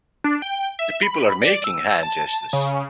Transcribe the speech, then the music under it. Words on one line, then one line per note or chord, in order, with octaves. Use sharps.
The people are making hand gestures.
D4
G5
E5
B5
D5
E6
A5
C#3